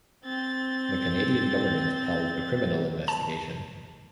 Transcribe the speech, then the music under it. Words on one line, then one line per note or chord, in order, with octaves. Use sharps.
The Canadian Government held a criminal investigation.
C4 A6
A5